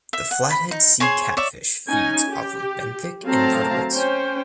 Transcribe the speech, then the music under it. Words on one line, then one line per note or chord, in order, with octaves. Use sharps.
The flathead sea catfish feeds off of benthic invertebrates.
E5
F#5
B5
D#4
G#4 C5 C#5 G#5
C#5 D5 E5
C#4 D#4 G#5
G4
F#3 A3 C4 F5 A5 A#5
C#4 C5 G5